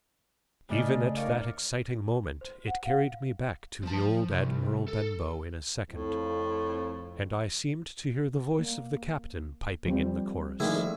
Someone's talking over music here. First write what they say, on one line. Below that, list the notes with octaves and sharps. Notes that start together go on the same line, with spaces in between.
Even at that exciting moment it carried me back to the old Admiral Benbow in a second, and I seemed to hear the voice of the captain piping in the chorus.
C#3 A3 D4 D5 D#5 F6
D#4 A#4 C#5 D5 F5
C5
F#5
F5
F3 A5
C2
A4
F2 A2
A#3
F3 G3 C4
A#1 D#3 A3 E4 G#4